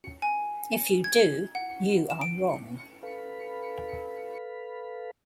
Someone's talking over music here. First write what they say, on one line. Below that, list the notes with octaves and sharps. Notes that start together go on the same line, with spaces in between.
If you do, you are wrong.
G#5
G#6
F#5
E7
D7
A4 B4 F5 B5